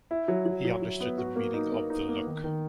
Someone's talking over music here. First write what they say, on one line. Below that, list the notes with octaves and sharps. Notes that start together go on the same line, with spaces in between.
He understood the meaning of the look.
E4
F#3
F#3
F#3
F#3
B3
F#4
A#3
D#4
A#3
D#4
A#3
D#3
D#3